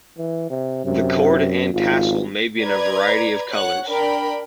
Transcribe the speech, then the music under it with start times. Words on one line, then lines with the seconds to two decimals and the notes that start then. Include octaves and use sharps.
The cord and tassel may be in a variety of colors.
0.18 E3
0.50 C3
0.85 F#2 C3
1.74 G#1 F4
2.60 B4 D5 A#5 G#6
3.51 C#5 F#5 F#6
3.87 D4 A#4 G5 B5